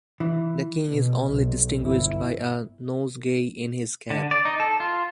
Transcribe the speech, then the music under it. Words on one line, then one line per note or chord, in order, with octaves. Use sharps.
The king is only distinguished by a nosegay in his cap.
E3
B2
B1
G1 E4
D3
D5
D#4
A4
F4